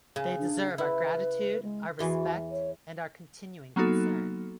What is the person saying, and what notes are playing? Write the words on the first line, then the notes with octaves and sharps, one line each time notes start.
They deserve our gratitude, our respect, and our continuing concern.
C#3
D4
E4 B4
G#3
E2 E3 F#4 C6
C#5
F#3 A#3 B3 D#4 F#4 A4